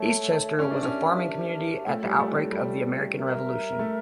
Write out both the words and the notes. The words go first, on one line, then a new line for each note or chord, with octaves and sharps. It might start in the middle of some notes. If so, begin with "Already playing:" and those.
Eastchester was a farming community at the outbreak of the American Revolution.
Already playing: A3 A4 C#5 E5 A5
C#4 G4 A#4 E5 A5
D4
C#4
A3 F4 A4 C#5 G5
G3
A3
A3
G3
A#4 E5 A#5
A3